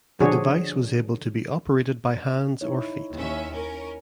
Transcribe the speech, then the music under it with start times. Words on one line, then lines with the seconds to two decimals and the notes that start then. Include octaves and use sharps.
The device was able to operated by hands or feet.
0.20 D3 F3 D4 F#4 G#4 C#5
2.61 D#4 E4 C#5
3.16 D#2 C#4 E5
3.53 C#4 A#4